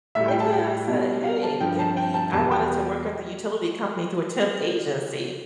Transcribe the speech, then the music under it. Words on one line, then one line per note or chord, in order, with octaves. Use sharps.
I did, I said, "Hey, get me" I wanted to work at the utility company through a temp agency,
A2 G3 E5
G5
A5
G5
B2 G3
F5
A5
G2 F3 G5
A5
G5
A5
E2 B2 G3 A5
G5